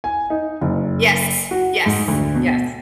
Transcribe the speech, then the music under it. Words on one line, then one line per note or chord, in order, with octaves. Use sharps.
Yes. Yes. Yes.
G#5
D#4
F#1
F#4
G#2
D2
B2